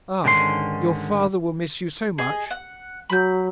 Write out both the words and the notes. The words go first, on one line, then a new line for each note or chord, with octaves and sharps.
'Ah,--your father will miss you so much!
G#2 D3 D#3 C#4 A#4 C6
G#4 D#5
F#5
F#3 B5 G6